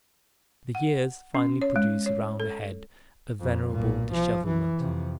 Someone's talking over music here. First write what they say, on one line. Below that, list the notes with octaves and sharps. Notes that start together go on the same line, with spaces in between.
The years finally produce around a head a venerable dishevelment.
F#5
C#4
C#5
G#3
C#5
A4
F2
B1 A#2
F3
E3
F2 C3